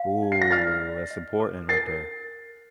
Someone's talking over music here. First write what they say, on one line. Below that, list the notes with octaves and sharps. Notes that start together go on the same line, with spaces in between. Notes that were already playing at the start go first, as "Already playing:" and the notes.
Ooh, that's important right there.
Already playing: F5
D#4
C7
A#6
D5 F6 A6
D5
D#5
A4
A#4 A6 C7